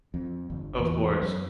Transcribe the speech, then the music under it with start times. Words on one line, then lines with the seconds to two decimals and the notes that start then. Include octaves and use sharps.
Of course.
0.14 F2
0.50 G1
0.79 E2
1.22 F#2